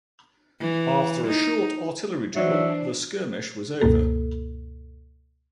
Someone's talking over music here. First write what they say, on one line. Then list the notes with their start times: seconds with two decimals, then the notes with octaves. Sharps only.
After a short artillery duel the skirmish was over.
0.61 E3
1.27 D#4
2.36 E3 F#3 D4 C5 D5 E5 C7
3.81 C#2 F#2 B2 A#3 A4